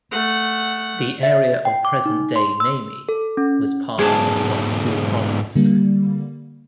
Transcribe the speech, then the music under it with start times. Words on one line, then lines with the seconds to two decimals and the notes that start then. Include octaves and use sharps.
The area of present-day Namie was part of Mutsu Province.
0.12 A3 F#5
1.23 E5
1.65 G5
1.85 D6
2.06 D#4
2.36 C6
2.60 E6
3.09 A4
3.37 C#4
3.99 B1 G#2 G#4 A5
5.56 D3 G3 A#3